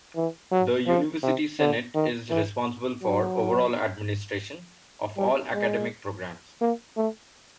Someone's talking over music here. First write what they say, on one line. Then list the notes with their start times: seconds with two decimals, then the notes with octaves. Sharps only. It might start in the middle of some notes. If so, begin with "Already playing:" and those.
The University Senate is responsible for overall administration, of all academic programs.
0.16 E3
0.52 F#3
0.87 F3
1.23 C3
1.60 D3
1.95 D#3
2.31 E3
3.02 F#3
5.17 G3
5.54 G#3
6.61 A#3
6.97 A3